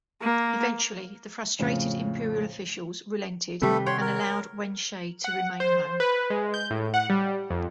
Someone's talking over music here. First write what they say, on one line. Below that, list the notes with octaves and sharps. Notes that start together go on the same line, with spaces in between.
Eventually, the frustrated imperial officials relented and allowed Wen Shi to remain home.
A#3
F2 A2 C#3
C3 D#3 G3 A3 C4 A4 B4
C#5 F#5 G5 C6
A#4
F#5
C5
B4
G#3
G6
A2
F#5
G3
F2